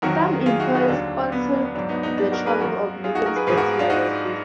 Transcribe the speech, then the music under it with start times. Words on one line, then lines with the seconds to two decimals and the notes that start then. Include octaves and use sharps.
Some employers sponsored the travel of migrants back to their workplaces.
0.02 F2 D#3 F#3 F#4 A#4
0.46 F4 G#4
0.60 D#4 F#4
0.74 D#4 F#4
0.88 D#2 D3 F#3 D4
1.32 B3
1.53 D4
1.64 B3
1.75 G#2 F#3 D4
1.89 B3 D#4
2.03 B3 D#4
2.18 D4
2.32 F#4 A#4
2.46 G#4 B4
2.61 F#2 F3 F#4 A#4
3.04 F4 G#4
3.15 D#4 F#4
3.26 F#4 A#4
3.36 G#4 B4
3.47 G#2 F3 G#4 B4
3.57 F#4 A#4
3.79 D4 F4
3.90 D#4 F#4